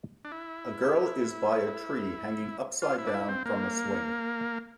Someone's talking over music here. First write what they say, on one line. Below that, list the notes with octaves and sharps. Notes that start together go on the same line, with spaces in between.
A girl is by a tree hanging upsidedown from a swing.
D4
E4
F4
E4
D4
E4
C4
A#3